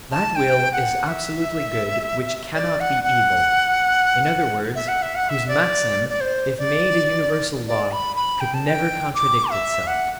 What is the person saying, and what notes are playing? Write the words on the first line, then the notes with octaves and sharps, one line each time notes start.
That will is absolutely good which cannot be evil- in other words, whose maxim, if made a universal law, could never contradict itself.
A5
G5
F#5
E5
D5
F#5
F#5
E5
F#5
E5
F#5
E5
D5
D5
C5
D5
D5
B5
B5
G5
A5
G5
D6
E5
F#5